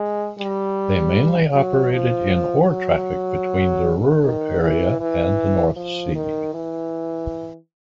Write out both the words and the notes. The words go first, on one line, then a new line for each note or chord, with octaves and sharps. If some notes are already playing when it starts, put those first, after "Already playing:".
They mainly operated in ore traffic between the Ruhr area and the North Sea.
Already playing: G#3
G3
F#3
F3
F#3
D#3
E3
E3
F3
D#3
E3